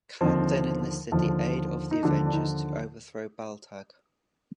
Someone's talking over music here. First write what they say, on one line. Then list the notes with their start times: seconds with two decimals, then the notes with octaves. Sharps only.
Kang then enlisted the aid of the Avengers to overthrow Baltag.
0.21 D#2 D3 F3 C4
1.11 D#2 D3 F3
1.91 D#4
2.03 D#2 D3 F3 D4
2.26 D4
2.33 D#4